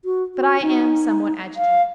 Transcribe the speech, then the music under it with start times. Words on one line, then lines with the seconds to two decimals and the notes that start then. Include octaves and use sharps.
But I am somewhat agitated.
0.05 F#4
0.35 F#4
0.62 D#4
1.57 F5